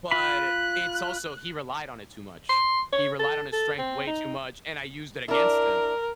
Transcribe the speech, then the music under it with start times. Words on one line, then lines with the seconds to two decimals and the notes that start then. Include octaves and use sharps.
But it's also he relied on it too much. He relied on his strength way too much, and I used that against him.
0.11 F4 B5 F#6
2.49 C6
2.93 C#5
3.19 A4
3.53 A4
3.78 C4
4.07 D#4
5.28 D4 E4 A#4